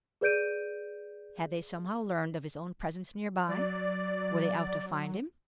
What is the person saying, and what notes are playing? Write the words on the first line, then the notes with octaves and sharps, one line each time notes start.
Had they somehow learned of his own presence nearby, were they out to find him?
G#4 B4 D5 G6 D7 D#7
F#3 D5